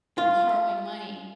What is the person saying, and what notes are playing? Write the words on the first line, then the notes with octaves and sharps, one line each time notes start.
borrowing money
F4